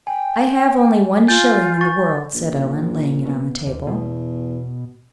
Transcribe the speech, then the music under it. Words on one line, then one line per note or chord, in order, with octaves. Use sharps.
"I have only one shilling in the world," said Ellen, laying it on the table.
G5 G#5
F4 G#5 G6 A6
C#6 A6
A#1
B2
D#2
E2 B2